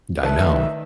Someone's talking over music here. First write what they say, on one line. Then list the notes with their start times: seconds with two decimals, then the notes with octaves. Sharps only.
D I know.
0.23 D#3 A3 B4 D5 E5 A5